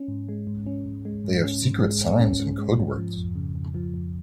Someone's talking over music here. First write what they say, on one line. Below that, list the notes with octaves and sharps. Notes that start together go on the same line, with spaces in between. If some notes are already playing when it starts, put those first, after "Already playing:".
They have secret signs and code words.
Already playing: C#4
G#2
G#3
G#2
C#4
G#2
G#3
G#2
C#4
G#2
G#3
G#2
C#4
G#2
G#3
G#2
F3
F2
C#3
F2
F3
F2